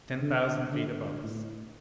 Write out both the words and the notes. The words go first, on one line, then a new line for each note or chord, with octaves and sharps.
Ten thousand feet above us.
D3
D3
A2